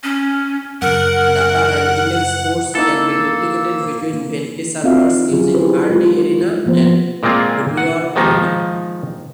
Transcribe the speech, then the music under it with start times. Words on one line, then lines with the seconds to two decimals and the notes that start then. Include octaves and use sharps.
Data and index scores can be duplicated between Venti servers using 'rdarena' and 'wrarena'.
0.03 C#4
0.82 F#2 C#3 A#4 F#5
2.75 A#3 D#4 E4 A4 E6
4.13 A#3
4.84 C4 D#4 F4 F#4 E5 F5
5.31 D3 F#3 C#4 F4 G#4
5.54 C#4 E4 G4 G#4 B4 C5
5.90 G#3 F4
6.66 F3 A#3 B3 C5
7.23 A#2 G#3 A#3 C4 F4 G#4
7.77 F#5
8.16 D#3 F3 G#3 A#3 D#4